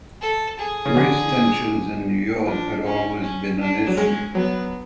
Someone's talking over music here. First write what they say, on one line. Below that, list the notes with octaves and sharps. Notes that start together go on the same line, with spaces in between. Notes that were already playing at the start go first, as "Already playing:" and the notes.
Race tensions in New York had always been an issue.
A4
G#4
C#3
D3
F3 D4
C#4
C#4
D4
F#3
G#3 C#4
F#3 B3